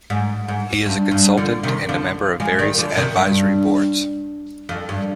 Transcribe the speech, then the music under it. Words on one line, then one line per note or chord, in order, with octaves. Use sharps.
He is a consultant and a member of various Advisory Boards.
G#2
G#2
G2
G2
D3 F3
C3 D#3
D3 F3
F3 G#3
D#3 G3
D3 F3
C3 D#3
G2
F2
G2